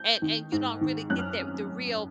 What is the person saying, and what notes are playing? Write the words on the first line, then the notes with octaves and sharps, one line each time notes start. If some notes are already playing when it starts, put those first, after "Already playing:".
and and you don't really get that the real
Already playing: G6
D#3
G#2
D#3
F#2 F#6
F6